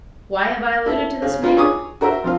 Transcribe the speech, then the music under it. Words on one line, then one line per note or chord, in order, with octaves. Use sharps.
Why have I alluded to this man?
E4 A4
C#3
A#3 F4 B4
G#4 C#5 D6 D#6
F#4 A#4 C5 E5
F3 C4 F5